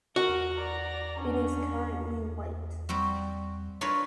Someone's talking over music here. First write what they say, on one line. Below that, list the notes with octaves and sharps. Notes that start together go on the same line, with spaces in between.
It is currently white.
F#4 A#4
D5 A#5
C#4 D4
G3 C4 F#4
D4 F4 A#4 B4 C#5